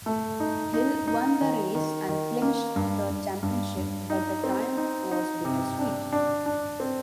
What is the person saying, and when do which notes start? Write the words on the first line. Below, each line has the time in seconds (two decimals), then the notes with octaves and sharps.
Hill won the race and clinched the championship but the triumph was bittersweet.
0.06 A3
0.40 D#4
0.74 D#4
1.07 D#4
1.41 D#3
1.75 D#3
2.09 D#3
2.42 A#3
2.76 G2
3.10 G2
3.43 G2
3.77 G2
4.10 D#4
4.44 C4
4.77 D#4
5.11 D#4
5.45 C3
5.79 D4
6.12 D4
6.46 D4
6.80 C4